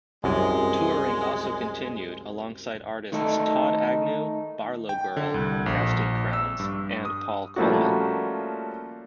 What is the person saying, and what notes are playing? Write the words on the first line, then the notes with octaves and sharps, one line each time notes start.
Touring also continued alongside artists Todd Agnew, BarlowGirl, Casting Crowns and Paul Colman.
C2 F#2 G#3
D#3 A3 D#4 A4
G5
D3
C2
A#1
E6
G2
D#6
F3 G3 A3 A#3 C#4 F#4